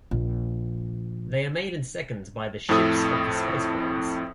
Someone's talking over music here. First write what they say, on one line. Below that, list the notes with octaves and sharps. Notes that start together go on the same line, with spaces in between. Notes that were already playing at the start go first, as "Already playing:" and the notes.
They are made in seconds by the 'ships' of the Space Brothers.
A#1
F2 A2 C4 E4 A4 D#6